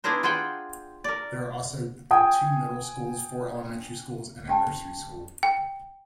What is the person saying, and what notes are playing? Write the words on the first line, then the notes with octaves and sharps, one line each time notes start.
There are also two middle schools, four elementary schools, and a nursery school.
B3 D4 E4 G#4 A#4 C5
F4 G#4 C5 F#5 G5
A#4 D5
G5 G#5 D#6
C#4 G4 G5 A5
G5